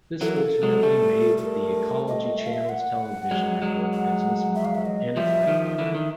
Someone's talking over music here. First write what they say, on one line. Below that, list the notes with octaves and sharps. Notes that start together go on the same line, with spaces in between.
This ultimately made The Ecology Channel's television network business model ineffective.
E3 F#3 A4
A#4
A4
F#3 G#3
G3 A3
A4
A#4
D#5
E5
F5
E5
F#5
F#3 G#3
F#3 G#3
F#5
E5
F5
E5
D#5
F3 G3 E5
D#3 F3
D3 E3
D#3